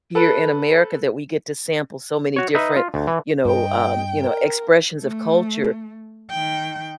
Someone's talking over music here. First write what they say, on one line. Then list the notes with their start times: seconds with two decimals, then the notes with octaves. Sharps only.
here in America that we get to sample so many different, you know, um, you know, expressions of culture,
0.15 A4 B4
2.36 F#4 C#5
2.55 D#4 B4 E5
2.76 F4
2.94 D2
3.07 E3
3.45 G2 D#5 G5
4.23 A#4
5.00 A3
6.30 D#3 G5